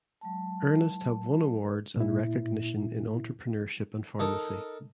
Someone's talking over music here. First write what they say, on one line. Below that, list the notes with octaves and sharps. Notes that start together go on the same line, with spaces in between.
Ernest have won awards and recognition in entrepreneurship and pharmacy.
F#3 G#3 A5
B4
A#2 E4
D#4 A4 A#4